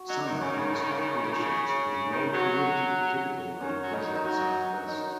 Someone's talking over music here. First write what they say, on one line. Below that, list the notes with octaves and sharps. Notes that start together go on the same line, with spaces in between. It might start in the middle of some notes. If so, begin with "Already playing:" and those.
Summer brings hot conditions with low humidity typical of the desert southwest.
Already playing: F#4
F#3 D#4
D#3
C#3 C#4
D#3
C#3
D#3
C#3
D#3
C#3
D#3
C#3
D#3
C#3
D#3
C#3
C#3
C#3
D#3
F#3 F#4
D#3 C#4
F#3
C#3 D#4
D#3
D#4
F#3 F#4
D#3 D#4